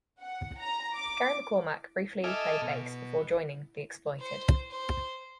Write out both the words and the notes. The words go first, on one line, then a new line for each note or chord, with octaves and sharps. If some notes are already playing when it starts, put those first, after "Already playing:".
Gary McCormack briefly played bass before joining The Exploited.
F#5
A#5
D6
A4 D#5 E5 G#5 D6 F6
B2
C5
C5